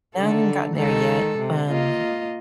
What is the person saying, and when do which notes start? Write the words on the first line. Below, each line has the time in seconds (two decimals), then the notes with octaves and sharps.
Haven't gotten there yet, um,
0.16 D3 D#3 A4
0.75 D#3 G#3 A4
1.38 C3
1.69 A#3 F4 D#5